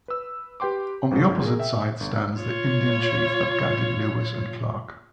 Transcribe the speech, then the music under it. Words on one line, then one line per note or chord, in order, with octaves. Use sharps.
On the opposite side stands the Indian Chief that guided Lewis and Clark.
B4 E6
G4 B4 G5 C6 D6
G1 G#2 F3 F#3
G#4 A#4
E5 G5
G1
F4 C#5